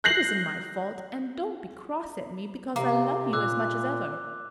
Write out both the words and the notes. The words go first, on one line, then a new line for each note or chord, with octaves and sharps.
It isn't my fault and don't be cross at me, because I love you as much as ever.
F#6 G6 A#6 C7 F#7
C3 A#3 D6
A#2 D6 E6 F#6